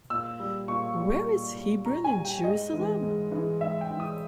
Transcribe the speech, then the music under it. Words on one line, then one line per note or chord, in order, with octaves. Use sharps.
Where is Hebron and Jerusalem?
A#2 E6
G3
A#2 C#6
G3
A#2
G3
A#2 A#5
G#5
G3
G5
G#2 D#5
E3 G#3
G#2
E3 G#3
G#2 E5
G5
E3 G#3
D#6